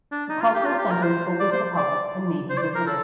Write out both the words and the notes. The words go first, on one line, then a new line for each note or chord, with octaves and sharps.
The cultural center is open to the public and may be visited.
D4
D#4
F4
G4
F4
G4
A#4
C5
D5
C5
D5
C5
D5
C5
A#4
A4